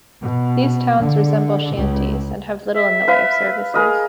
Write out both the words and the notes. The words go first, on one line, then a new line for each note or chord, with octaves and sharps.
These towns resemble shanties, and have little in the way of services.
B2
D3
C#2
E5
B4 F5
G#4 A#4 D#5